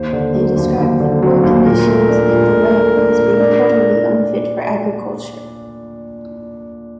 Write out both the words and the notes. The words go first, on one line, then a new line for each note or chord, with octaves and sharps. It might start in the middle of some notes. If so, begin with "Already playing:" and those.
They described the poor conditions and the land as being totally unfit for agriculture.
Already playing: D#2 C5
D3
F#3
D#2
D#2
D3
F#3
D#2
C5
A#2 A#4
A3
D4
A#2
A#2
A3
D4
A#2
D4